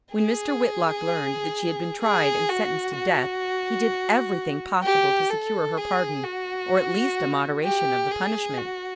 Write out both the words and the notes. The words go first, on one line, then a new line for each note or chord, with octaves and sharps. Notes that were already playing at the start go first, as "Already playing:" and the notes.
When Mr. Whitlock learned that she had been tried and sentenced to death he did everything possible to secure her pardon, or at least a moderation of the punishment.
G#4
G#4
F#4
F#4
G4
A4
G#4
F#4
G4
G#4
F#4